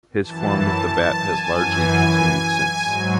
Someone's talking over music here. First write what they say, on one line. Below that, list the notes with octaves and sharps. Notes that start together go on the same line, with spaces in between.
His form with the bat has largely continued since.
F#2 E3 A5
A5
A5
G#5
F#2 E3
G#2 F#3